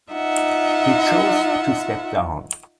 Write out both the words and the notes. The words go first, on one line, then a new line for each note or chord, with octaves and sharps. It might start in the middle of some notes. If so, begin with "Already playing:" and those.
He chose to step down.
D#4 F4 E5 F#5